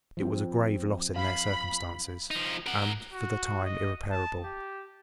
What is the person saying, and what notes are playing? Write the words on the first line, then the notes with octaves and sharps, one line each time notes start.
It was a grave loss in their circumstances, and for the time irreparable.
F3 C4
F5 B5
F3 D#4
A#4 F#5
F#4
D#5
A5
G4